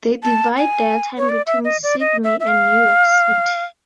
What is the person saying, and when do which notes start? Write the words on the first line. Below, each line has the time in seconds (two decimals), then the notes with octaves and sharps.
They divide their time between Sydney and New York City.
0.23 A5
0.57 G#5
1.18 C#5
1.29 D5
1.46 E5
1.65 D#5
1.83 D5
2.00 D#5
2.24 E5
2.40 E5
2.48 F5